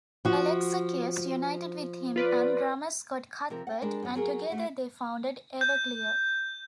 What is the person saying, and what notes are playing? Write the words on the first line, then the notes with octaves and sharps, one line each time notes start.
Alexakis united with him and drummer Scott Cuthbert, and together they founded Everclear.
F3 F#4
F4 B4 D5
C3 F3 A#4
F#5 G5
G3 G#3 D4 A#4
F#2 F#3
F#3 G#4 A#4
A3 F#4
G6